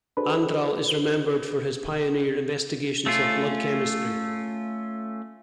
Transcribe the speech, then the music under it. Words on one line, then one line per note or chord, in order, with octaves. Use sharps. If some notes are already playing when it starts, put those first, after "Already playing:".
Andral is remembered for his pioneer investigations of blood chemistry.
D4 F#4 G#4 A4 B4 C5
A3 C#4 F4